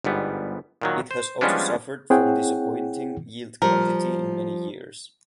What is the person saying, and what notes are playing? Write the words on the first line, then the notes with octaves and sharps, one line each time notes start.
It has also suffered from disappointing yield quantity in many years.
G1 G#2 G3 B3
A#2 D#3 F#3
C5
F3 G3 G#3 B3 C#4 D4
C4 E4 G#4 C#5 F#5 G5
F3 G3 A#4